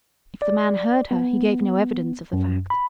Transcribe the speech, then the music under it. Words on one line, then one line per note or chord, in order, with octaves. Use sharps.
If the man heard her he gave no evidence of the fact.
D5
B3
F#2
B5